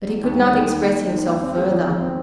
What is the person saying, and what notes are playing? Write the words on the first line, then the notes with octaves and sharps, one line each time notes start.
But he could not express himself further.
E2
D#2
G3
D#3
D#2
D#2
G3
D#3
D#2
C4
G#3
F3
G#2
C4